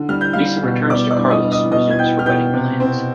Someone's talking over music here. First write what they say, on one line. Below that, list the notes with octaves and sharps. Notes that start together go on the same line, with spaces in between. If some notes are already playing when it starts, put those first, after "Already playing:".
Lisa returns to Carlos and resumes her wedding plans.
Already playing: D3
G3 F6
G6
G3 F5 F6
B2
B3 D5 D6
D5 D6
G2
D#5 D#6
G2
D#5 D#6
B2 D#5 D#6
G#6
B3 G5 G6
F6
B2 G5 G6
C3
C4